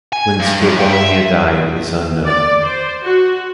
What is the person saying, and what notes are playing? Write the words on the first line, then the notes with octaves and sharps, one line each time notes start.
When Scribonia died is unknown.
G#5
G2
F#2
F5 G5
E5
D5
C5
F#4